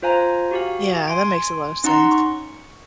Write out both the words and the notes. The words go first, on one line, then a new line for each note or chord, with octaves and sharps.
Yeah, that makes a lot of sense.
F4 C5 F5 G#5 A#5
F#4 G4 F5
G#5 C6 D7
C#4 D#4 F#5 A#5 C6
C#6